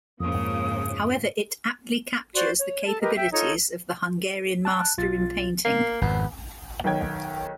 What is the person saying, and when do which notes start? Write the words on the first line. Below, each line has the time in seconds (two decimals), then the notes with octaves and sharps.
However, it aptly captures the capabilities of the Hungarian master in painting.
0.20 F2 G#2 C#3 F3 A#3 D#6
2.34 F#4 C5 D5 C6
2.56 C#5
2.85 A4 A5
3.01 G4 A#4 B4 D#5
3.16 E5 G5
3.32 D#4 F4 A4 C#5
4.65 A5 F#6
4.98 B1 F4 A6
5.65 A#3 C7
6.01 G#1 F2 B3
6.84 B1 D#3 C#5 G5 G#6